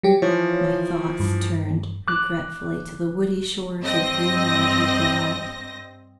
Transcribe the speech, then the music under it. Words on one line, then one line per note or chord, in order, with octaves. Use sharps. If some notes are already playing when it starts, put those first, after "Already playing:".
My thoughts turned regretfully to the woody shores of Greenwater Broad.
F#3 G3 G4
E3 F3 C#5
G2
D6 F#6
G2 C4 D#5 A#6